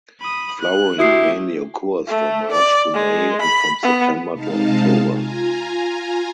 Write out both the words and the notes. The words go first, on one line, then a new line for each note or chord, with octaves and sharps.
Flowering mainly occurs from March to May and from September to October.
B5 D#6
F#6
A3 E4 F#4 G4 D#6 C7
A3
D5
G#3
B5
B3
C3 G#3 D#4 F5 A5
F4 G#5 A#5